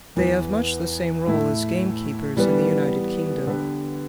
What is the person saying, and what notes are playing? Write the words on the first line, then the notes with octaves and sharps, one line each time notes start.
They have much the same role as gamekeepers in the United Kingdom.
E2 E3 B3
A2 A3 E4
E3 G3 B3
D3 B3 G4 B4